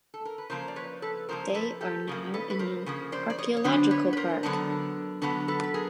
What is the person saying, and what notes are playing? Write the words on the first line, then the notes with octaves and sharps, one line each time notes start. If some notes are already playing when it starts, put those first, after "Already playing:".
They are now in an "archaeological park".
A4
A#4
B4
C#3 F3 A#3 A#4 C5
D5
B4 C#5
A4 B4
C#3 F3 A#3 A#4 C5
A4 B4
G4 A4
C#3 F3 A#3
A4 B4
B4
A#4 C5
C#3 F3 A#3
C5 D5
D5
C#5 D#5
C#5
D3 F#3 B3 D4 C5 D5
B4 C#5
B4
A#4 C5
D3 F#3 B3 D4
D3 F#3 B3 D4 A4 B4
A4 B4
B4
G#4 A#4